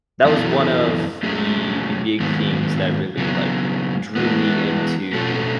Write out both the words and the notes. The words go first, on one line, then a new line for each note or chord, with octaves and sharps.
that was one of the the big things that really, like, drew me into
F#2 E3 B3 E4 A4
F#3 A3 C#4 G#4
G#2 D#3 F#3 B3
C#3 F#3 B3
E3 G#3 B3
B2 A3 C#4 F#4 A4